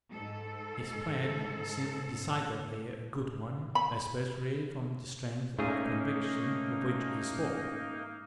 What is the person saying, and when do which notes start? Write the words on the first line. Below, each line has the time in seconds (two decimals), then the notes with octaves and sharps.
His plan seemed decidedly a good one, especially from the strength of conviction with which he spoke.
0.12 G#2 A4
3.75 B5
5.59 G#2 A3 A#3 C#4 D#4 G#4